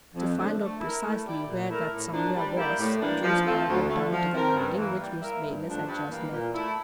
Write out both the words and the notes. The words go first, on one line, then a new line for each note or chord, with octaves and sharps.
To find out precisely where that somewhere was drew Spargo down to the landing which Miss Baylis had just left.
F2
D3 F3 A3 D4
A3
E4 A#4
A3
E4 G4 D5
A#2
A3 E4 A#4
A2
F3 A#3 D4
G3
A#3 E4 G4 D5
A2
E3 G3 A#3 D4
F3
A3 C4 F4 A4
D2
D3 A3
F3
C4 G4 A#4
G2
E3 A#3
G3
A#3 E4 A#4 E5
G2
F3 A3 D4 G4
G2
E3 G3 A#3
A#2
A3 E4